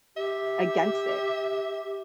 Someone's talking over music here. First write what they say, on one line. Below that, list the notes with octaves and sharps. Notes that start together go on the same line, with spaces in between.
against it.
G4 E5